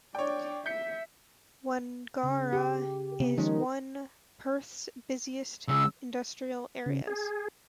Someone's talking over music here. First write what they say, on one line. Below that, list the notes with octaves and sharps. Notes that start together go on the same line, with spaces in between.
Wangara is one Perth's busiest industrial areas.
D4 C#5 D5 G5
E5 G6 B6 C#7
C#3
G4
C3 B3
D#3 F3 G#3 C#4 D#4
C#3 G#3 E6
C#3
G#4